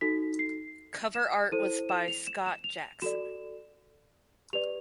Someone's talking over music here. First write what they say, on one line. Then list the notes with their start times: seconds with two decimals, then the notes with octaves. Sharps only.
Cover art was by Scott Jackson.
0.01 D#4 F#4 A4 B6
0.39 C7
1.14 E7
1.52 E4 A4 C5 D#7
1.89 E7
2.08 F7
2.27 E7
2.46 E7
2.64 F7
3.02 F#4 A4 D5 E7
4.53 G4 B4 D5 F7